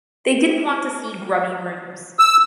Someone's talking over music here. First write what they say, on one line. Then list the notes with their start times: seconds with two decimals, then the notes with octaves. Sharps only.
They didn't want to see grubby rooms.
2.19 E6